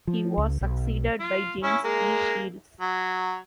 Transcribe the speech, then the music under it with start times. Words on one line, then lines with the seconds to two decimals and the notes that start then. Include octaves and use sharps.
He was succeeded by James P. Shields.
0.07 F3
0.38 C#2
0.61 B1
1.20 F4
1.63 C#4 E4
1.85 G#3 A#3
2.81 F#3